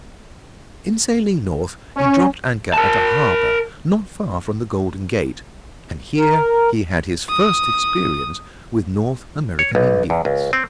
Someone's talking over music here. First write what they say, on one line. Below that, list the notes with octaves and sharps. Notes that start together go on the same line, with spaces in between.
In sailing north he dropped anchor at a harbor not far from the Golden Gate, and here he had his first experience with North American Indians.
C#4
A#4 A5
A#4
D#6
C#5
B1
E2
C#2
C4